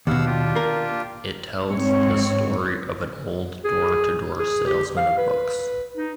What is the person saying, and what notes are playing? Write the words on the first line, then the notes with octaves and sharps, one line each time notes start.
It tells the story of an old door-to-door salesman of books.
D#2 B2 F5 F#5 E6
D4 F4 G4
A#3 A#4
G#2 C4 C#5
G#4
G#4
G4
F5
B4
D#4